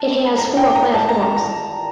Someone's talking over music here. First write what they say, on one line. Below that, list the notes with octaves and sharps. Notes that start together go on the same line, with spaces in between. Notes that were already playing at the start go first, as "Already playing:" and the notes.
It has four platforms.
Already playing: A5
A#5
G5
A#5
A5
A#5
A#5
A#5